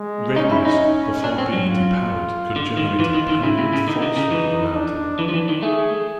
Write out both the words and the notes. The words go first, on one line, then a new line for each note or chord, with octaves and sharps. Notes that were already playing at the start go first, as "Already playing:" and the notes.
Radius, before being depowered, could generate a permanent force field around him.
Already playing: G#3
C#4 D#4
E4
D#4
D4
C4
F#3
F4
D3 F4
D#3
E3
D#3
D#3
C#3 E4
C3
C#3
D3 D#4
D3
C#3
E3
D4
E3
F3
E3
D#3
A3 G#4